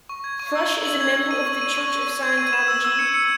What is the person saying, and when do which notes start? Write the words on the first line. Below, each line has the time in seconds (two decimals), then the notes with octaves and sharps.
Fresh is a member of the Church of Scientology.
0.09 C#6
0.24 G#6
0.39 C#6
0.55 E6
0.70 C#6
0.85 F#7
1.01 G#6
1.16 G#6
1.31 D#7
1.46 C#6
1.61 D#7
1.78 C#6
1.92 D#7
2.08 C#6
2.23 G#6
2.38 D#7
2.53 E7
2.68 E6
2.85 E6
2.99 C#7
3.14 C#7